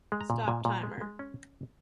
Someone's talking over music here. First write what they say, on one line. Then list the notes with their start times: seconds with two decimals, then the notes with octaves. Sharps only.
Stop timer.
0.12 G#3
0.21 A#5
0.30 A#2
0.48 A#2 G#5
0.65 A#2
0.83 G#3
1.01 G#3
1.19 C#4